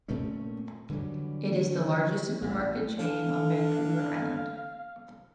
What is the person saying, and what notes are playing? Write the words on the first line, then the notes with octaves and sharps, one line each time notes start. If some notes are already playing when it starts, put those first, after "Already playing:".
It is the largest supermarket chain on Vancouver Island.
A#2 A3 C4 C#4
D3 E3 F#3 G3
A1
D3 F5